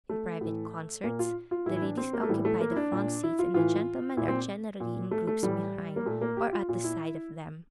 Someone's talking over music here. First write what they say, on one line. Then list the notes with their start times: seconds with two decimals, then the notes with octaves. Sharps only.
In private concerts, the ladies occupy the front seats, and the gentlemen are generally in groups behind, or at the side of them.
0.09 A3
0.41 A2 E3
1.04 A#2 A#3
1.19 F4
1.51 F4
1.66 A2 E3 E4
1.76 E4
1.82 D4
1.97 C4
2.13 A#3
2.23 A3
2.29 A2 E3 G3
2.45 A3
2.61 A#3
2.71 E4
2.76 D4
2.92 A#2
3.23 E4
3.39 F4
3.54 A2 E3 F4
4.17 A#2 E4
4.28 C4
4.80 A#2
5.11 A3
5.27 A3
5.43 A2 E3 G3
5.96 A#3
6.06 A#2 A3
6.21 A#3
6.37 G4
6.53 F4
6.69 A#2 F4
6.84 E4